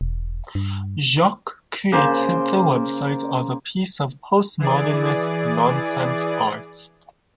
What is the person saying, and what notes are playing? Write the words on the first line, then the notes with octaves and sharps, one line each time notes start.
Jacques created the website as a piece of postmodernist "nonsense-art".
E1
G2
C#3 A#3 C5 C6
E3 G#4 D5